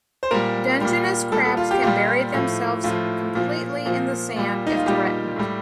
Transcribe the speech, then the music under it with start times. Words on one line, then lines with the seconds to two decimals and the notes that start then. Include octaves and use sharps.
Dungeness crabs can bury themselves completely in the sand if threatened.
0.23 C5
0.31 A#2 G3 A#4
0.81 A#2 G3
1.32 A#2 G3 A4
1.45 A4
1.57 F4
1.71 G4
1.82 A#2 G3 F4
2.34 A2 F3
2.84 A2 F3 F4
3.35 A#2 F3
3.86 A#2 F3
4.36 A#2 G3
4.67 D#4
4.76 F4
4.86 A#2 G3 G4
5.36 A2 G3